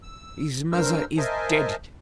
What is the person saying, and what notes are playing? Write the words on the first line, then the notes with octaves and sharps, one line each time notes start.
His mother is dead.
E6
G2 A#4 C5 E6 F6
A#4 C5 D#5 E5 G#5 A5